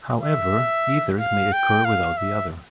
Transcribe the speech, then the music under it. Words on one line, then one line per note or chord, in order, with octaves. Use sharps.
However, either may occur without the other.
E5
F5
G5
F5
E5